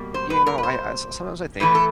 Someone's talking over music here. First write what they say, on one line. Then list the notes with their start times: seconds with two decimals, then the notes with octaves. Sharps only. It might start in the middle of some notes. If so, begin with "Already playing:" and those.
You know, I I s sometimes I think
Already playing: B2 G3 A#3
0.14 C5
0.30 B4
0.46 A#4
0.58 B4
0.63 C5
1.60 A2 E3 A3 B4
1.75 A4